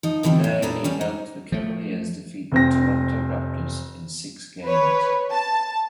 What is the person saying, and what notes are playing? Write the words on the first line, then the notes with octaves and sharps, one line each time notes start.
There he helped the Cavaliers defeat the Toronto Raptors in six games.
F3 D#4
B2 D3 E3 F3 G3 C4
G#2
A#2 B3 D4 A4 A#5
G3 C#4 G#5
D#4
F3 A3
F1 C4 A#6
B4 C#5
A5